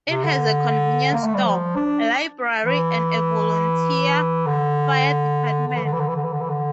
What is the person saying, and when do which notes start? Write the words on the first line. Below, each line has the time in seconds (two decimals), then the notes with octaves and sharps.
It has a convenience store, a library and a volunteer fire department.
0.09 C3
0.23 D3
1.13 A#3
1.24 A3
1.34 G3
1.45 F3
1.75 D4
2.65 E3
4.46 D3
5.68 D3
5.76 E3
5.84 D3
5.93 E3
6.00 D3
6.08 E3
6.16 D3
6.24 E3
6.33 D3
6.41 E3
6.49 D3